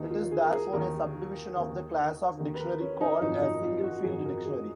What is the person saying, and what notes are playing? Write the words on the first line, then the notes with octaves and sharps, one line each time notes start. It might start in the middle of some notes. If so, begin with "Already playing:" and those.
It is therefore a sub-division of the class of dictionary called a single-field dictionary.
Already playing: D#2 D#3 D#4
F4
G#4
A#4
G#4
D#2 D#3 A#4
D#2 D#3
D#2 D#3 A#4
B4
A#4
C#4
D#4
G#1 F#2 F3 D#4
D#4
F4
F#4
G#1 F#2 F3 G#4
A#4
G#4